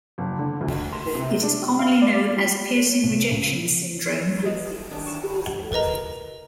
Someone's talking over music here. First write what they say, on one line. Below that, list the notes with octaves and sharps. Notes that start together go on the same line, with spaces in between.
It is commonly known as piercing rejection syndrome.
F#1
D3
D2
C6
C3
D4
G4
F5
D5
G3
C#5
C2
C#2
E3 D#5
D#3 F#3 D4
C#6 E7
A#4 B4 D#5 A#5